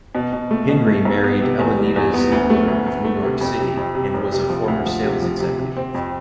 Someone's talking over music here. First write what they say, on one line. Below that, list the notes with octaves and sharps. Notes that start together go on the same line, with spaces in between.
Henry married Elenita Ziegler of New York City and was a former sales executive.
B2
B2
A3
B2
A3
B1
B3
C3
E2
G3
E2
B3
D2
A3
D2
D2
A3
C3
F2
C3
F2
C3
F1
C3
F3
D2
F3
C3
F3
C3
C3
C4
F2